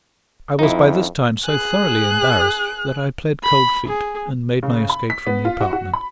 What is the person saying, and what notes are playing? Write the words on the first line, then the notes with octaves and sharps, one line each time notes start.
I was by this time so thoroughly embarrassed that I pled cold feet, and made my escape from the apartment.
F2 D#4 E4
G#4 F#6
B5
G#4
C#3
B5
B6
B3
F4
F#4
F#4
B5